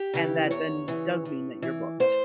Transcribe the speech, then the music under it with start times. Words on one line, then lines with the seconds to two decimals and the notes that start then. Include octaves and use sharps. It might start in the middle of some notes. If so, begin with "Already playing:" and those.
and that, then, does mean that you're booked.
Already playing: G4
0.14 C#3 E3
0.51 E2 C#5
0.88 C#3 E3
1.25 A2
1.62 E3
2.00 A2 C5